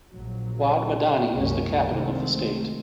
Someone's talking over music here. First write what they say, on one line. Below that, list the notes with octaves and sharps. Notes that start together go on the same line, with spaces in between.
Wad Madani is the capital of the state.
A#1 F#3
C2 F#2 D#3 G#3 A#3 C#4
C2 D#3 G#3 A3 C4